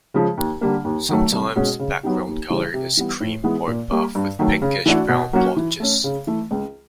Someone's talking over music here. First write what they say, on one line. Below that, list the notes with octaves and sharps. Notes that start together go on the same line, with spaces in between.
Sometimes the background colour is cream or buff with pinkish-brown blotches.
C#3 F3 G#3
D#2
D3 G3 A#3
D#2
D#3 F#3 A3
C2
B2 G#3 C#4 F#4
C#3
F#3 B3 D#4 G4
D#2
C#3 E3 G3
C3
E3 G3 B3
A2
E3 G#3 B3
A#2
G3 A#3
G2
D#3 F#3 A3
C#3
E3 A3 D4 F#4
B2
F#3 A#3 C#4 F#4
E3
A3 C#4
C#3
E3 A3
C#2